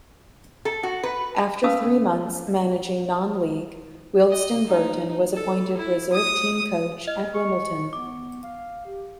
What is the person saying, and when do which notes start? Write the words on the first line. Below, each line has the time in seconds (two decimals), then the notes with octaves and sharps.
After three months managing non-league Wealdstone Burton was appointed reserve team coach at Wimbledon.
0.65 A4
0.83 F#4
1.03 B4
1.63 C#4 B4 F5 A5 D#6 E6
4.29 D#5
4.67 D#4
5.33 A4
5.77 E4
6.12 D#6
7.08 D#5 F6
7.35 C#6
7.93 B3 D6
8.43 F5
8.86 G4